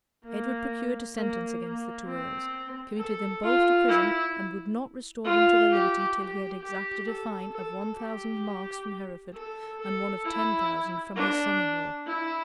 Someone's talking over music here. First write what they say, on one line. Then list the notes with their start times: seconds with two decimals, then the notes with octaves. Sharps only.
Edward procured a sentence against the two earls, committed them both to prison, and would not restore them to their liberty, till he had exacted a fine of one thousand marks from Hereford, and one of ten thousand from his son-in-law.
0.25 A#3
1.16 A#3
1.61 A#3
2.07 C4
2.98 A4
3.44 F4
3.88 E4
5.25 F4
5.70 G4
6.16 G4
6.62 G4
7.07 A4
7.53 A4
7.99 G4
9.34 A4
9.81 A4
10.26 E4
11.16 D4
12.07 E4